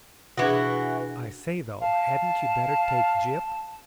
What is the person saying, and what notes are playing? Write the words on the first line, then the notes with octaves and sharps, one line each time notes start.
"I say, though, hadn't you better take Gyp?"
B2 E3 D4 F#4 G#4
F5 A5